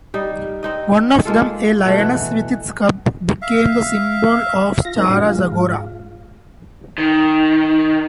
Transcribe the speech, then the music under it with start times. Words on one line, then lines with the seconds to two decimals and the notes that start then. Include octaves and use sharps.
One of them, a lioness with its cub, became the symbol of Stara Zagora.
0.14 G3 D#4
0.63 C4 D#4 D#5
1.25 G#3 A#3 F4 A4
1.86 B2 A3
1.98 E3 F#5
3.42 E5 F5
4.85 F4 A#6
4.96 G#3 C4 D#4 A#4
5.09 A2 D4 F#4
5.25 G#3 F4
5.52 G#2 F4
6.98 D#3